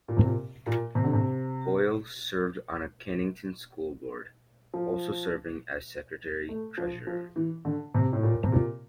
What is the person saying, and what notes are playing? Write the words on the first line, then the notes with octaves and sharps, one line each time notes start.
Hoyle served on the Cannington School Board, also serving as secretary treasurer.
A#2
C3
A#2
A#2
C3
D3
C3
F3
A3
F3
F3
E3
D3
C3
A2
A#2
C3
A#2